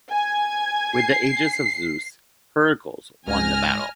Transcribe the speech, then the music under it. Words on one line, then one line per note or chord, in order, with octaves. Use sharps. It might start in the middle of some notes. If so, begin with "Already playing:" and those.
With the aegis of Zeus, Heracles won the battle.
G#5 G#6
C7
C#2 G#2 G#5 F6 A#6